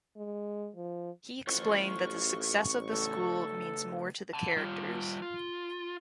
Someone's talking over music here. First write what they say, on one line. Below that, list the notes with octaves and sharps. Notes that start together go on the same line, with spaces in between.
He explained that the success of the school means more to the characters.
G#3
F3
A1 F4 A4 C5 C#6
C#3 A3 A4
F#5 A5
G3 F4
F4